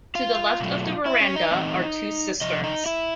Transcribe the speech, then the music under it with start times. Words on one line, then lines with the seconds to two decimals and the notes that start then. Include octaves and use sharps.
To the left of the veranda are two cisterns.
0.15 F4 F5
0.60 B2 F#3 A3
1.06 E4 E5
1.20 C#4 C#5
1.35 D#4 D#5
1.51 E3 A3 C4
2.41 C3 F3 D#5
2.64 D#4 D#5
2.86 E4 E5